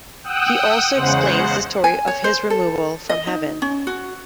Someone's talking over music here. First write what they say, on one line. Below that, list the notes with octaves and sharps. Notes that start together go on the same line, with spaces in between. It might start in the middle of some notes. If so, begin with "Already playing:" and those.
He also explains the story of his removal from heaven.
F#5 G5 D#6 E6 F#6
E2 C#3 G#3 C5 F#5
G#5
C#5
C5
A4
D#5
D#4
C#4
F#4